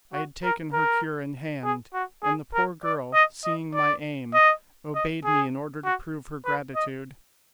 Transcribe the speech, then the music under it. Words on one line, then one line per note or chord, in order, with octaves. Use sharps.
I had taken her cure in hand, and the poor girl, seeing my aim, obeyed me in order to prove her gratitude.
F#4
A#4
A#4
G#4
F#4
G#4
A#4
D5
D#5
D#5
D5
D#5
D#5
G#4
F#4
B4
D#5